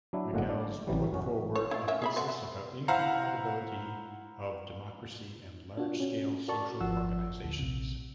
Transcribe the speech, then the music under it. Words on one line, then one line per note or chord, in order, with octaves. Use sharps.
Michels put forward a thesis about incompatibility of democracy and large-scale social organizations.
F#3 D4 E4
G1 A2 G#3 A#3 F#5 A#5
D4 D5
A1 C3 E3 F#3 G3
F#2 C#4 F#4
C#5
E4 F4
A#3 C#4 E5
G#4 E5 B5
A3 F#4 C5
E5
E4 C5 F5 F#5 A#5
D4 F4 F#4
C#4
F#4 A#4 D5 A5 C#6
G#1 F3 F#5 E6
D2
A#1 C3